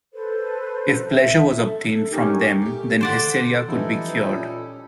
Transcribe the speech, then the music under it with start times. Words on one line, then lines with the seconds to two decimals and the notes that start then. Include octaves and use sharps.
If pleasure was obtained from them then hysteria could be cured.
0.13 A4 B4 C5
1.10 E5
1.52 A4
2.10 C#4 D#4 G4 A#4
2.62 A3 G4
3.01 D3 C5 D5 F#5
3.68 E3 F3 G3 C#4 D#4 E4 A4
4.17 A#2 C#4 G4